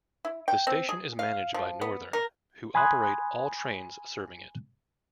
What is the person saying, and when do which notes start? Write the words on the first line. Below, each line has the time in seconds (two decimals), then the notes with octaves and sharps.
The station is managed by Northern, who operate all trains serving it.
0.25 E4
0.48 G5
0.67 C4
0.89 G#4
1.19 F5
1.54 F3
1.81 B3
2.13 A#4
2.75 G#5 B5 C6 D#6 F#6 G#6